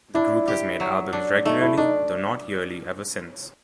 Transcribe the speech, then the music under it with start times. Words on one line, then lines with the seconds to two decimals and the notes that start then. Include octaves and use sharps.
The group has made albums regularly, though not yearly, ever since.
0.14 D4 E4
0.48 G4
0.80 F#3
1.13 D4
1.45 A3 D#4
1.61 E4
1.77 D4 D#4